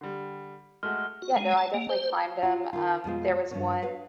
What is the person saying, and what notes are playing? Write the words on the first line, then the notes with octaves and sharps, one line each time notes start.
Yeah, no, I definitely climbed 'em. Um, there was one,
D3 G3
G#3 A3 F#4 F6
F#4
G#3
A5
A#3
C5
F4
D#3 F4
F2 B2 G#3 F4
G2 B2 D#3 C#4 C#5
B4 C#5 F5